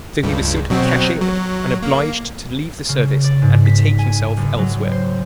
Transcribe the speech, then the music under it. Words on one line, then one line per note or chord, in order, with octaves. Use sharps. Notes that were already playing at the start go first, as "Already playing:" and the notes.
So he was simply cashiered and obliged to leave the service and betake himself elsewhere.
C#2 G2
B2 F#3 C4
F#3
A#3
C#3
D5
G#2
B6
G#5
F#1
F#3
C5